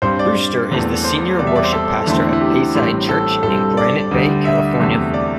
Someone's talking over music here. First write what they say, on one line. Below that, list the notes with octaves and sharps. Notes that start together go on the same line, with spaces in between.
Brewster is the senior worship pastor at Bayside Church in Granite Bay, California.
G2 G3 C4 C5
D5
E1 E2 E3 A3 C4
C5
E2 C3 G3 D5
E5
D5
C5
A4
E2 D3 A3 C4 E4
E4
G4
A1 A2 G3 C4
A4
G2 G3 C4 A4
D5
D2 D3 G3
E5
E2 C3 A3
D5